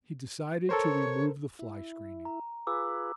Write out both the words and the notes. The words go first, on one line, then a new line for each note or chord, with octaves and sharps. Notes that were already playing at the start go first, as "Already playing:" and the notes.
He decided to remove the fly-screening.
A4 A#4 C5 C#5
E4
A#5
F4 G#4 B4 D6 E6